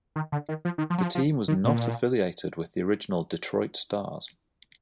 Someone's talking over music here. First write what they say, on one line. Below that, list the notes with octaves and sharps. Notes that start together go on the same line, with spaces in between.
The team was not affiliated with the original Detroit Stars.
D#3
D3
D#3
F3
D#3
F3
F#3
F3
F3
D#3
A#2